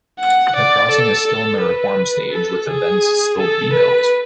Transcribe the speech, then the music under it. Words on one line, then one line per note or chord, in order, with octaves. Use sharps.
The crossing is still in the reform stage, with the vents still to be built.
F#5
D5
A4
A4
B4
A4
G#4
A4
B4